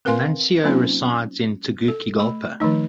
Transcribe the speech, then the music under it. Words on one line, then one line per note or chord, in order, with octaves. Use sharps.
The nuncio resides in Tegucigalpa.
C4 A#4 B4 F5 G#5 C6
F#3 A#3 C4 C#4 D#4 F4
A4
A3 B5
D#3 F3 A3 D#4